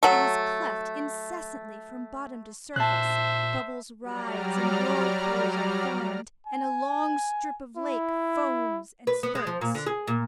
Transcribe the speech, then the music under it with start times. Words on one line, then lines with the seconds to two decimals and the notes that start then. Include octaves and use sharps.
It is cleft incessantly from bottom to surface, bubbles rise and whirlpools are formed, and a long strip of lake foams and spurts.
0.03 F#3 A3
2.76 A#2 C5 E5 A5 F#6
4.02 F#3 G3 D5 A#5 F6
6.47 G#5
7.77 E4
9.07 B4
9.23 B3
9.35 G#3
9.47 F3
9.61 A#2
9.75 D3
9.86 G#4
10.07 A#2